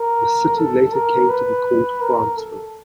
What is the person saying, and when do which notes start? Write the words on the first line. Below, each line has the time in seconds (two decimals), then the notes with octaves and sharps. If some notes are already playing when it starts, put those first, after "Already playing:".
The city later came to be called Franceville.
Already playing: A#4
0.57 A4
0.93 A#4
1.29 B4
2.01 A#4
2.37 A4